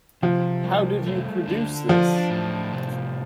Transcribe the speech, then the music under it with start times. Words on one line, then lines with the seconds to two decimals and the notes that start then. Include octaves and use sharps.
How did you produce this?
0.22 C3 F3
0.64 G3
1.06 A3
1.48 D3
1.89 F3 D4
2.30 A2
2.73 C3